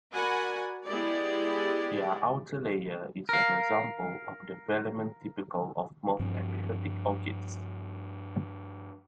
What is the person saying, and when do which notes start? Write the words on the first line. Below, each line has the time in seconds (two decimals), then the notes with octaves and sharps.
Their outer layer is an example of the velamen typical of most epiphytic orchids.
0.13 F#4 A#4 D5 F#5 G#5 B5
0.87 G#3 B3 E4 G4 G#4 D5
3.29 A#4 F5
6.19 G2 F3 C4